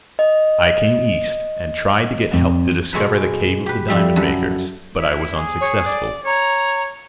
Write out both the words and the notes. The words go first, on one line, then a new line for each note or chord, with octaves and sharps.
I came East, and tried to get help to discover the cave of the diamond makers, but I was unsuccessful.
D#5
F2
B2 G#3 A4 B4
G4 B4
F2 G3 E5
F#2 A4 B4
E4
G#4
C#5
D5
C#5 A#5